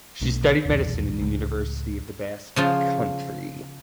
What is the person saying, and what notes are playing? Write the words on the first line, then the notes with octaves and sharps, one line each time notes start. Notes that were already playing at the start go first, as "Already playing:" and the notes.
She studied Medicine in the University of the Basque Country.
B1 B2 A3 D4
D#1 B1 E2
C#2 A2
C#3 F3 F4